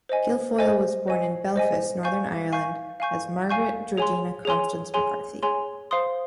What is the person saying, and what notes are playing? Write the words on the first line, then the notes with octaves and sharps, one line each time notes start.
Guilfoyle was born in Belfast, Northern Ireland as Margaret Georgina Constance McCarthy.
C5 D#5 G#5
C5 D#5 G#5
C5 D#5 G#5
C5 D#5 G#5
F5 G#5 C#6 G6
F5 G#5 C#6 G6
F5 G#5 C#6 G6
F5 G#5 C#6 G6
G#4 C#5 G#5 C6
G#4 C#5 G#5 C6
G#4 C#5 G#5 C6
G#4 C#5 G#5 C6
C5 F5 C6 D#6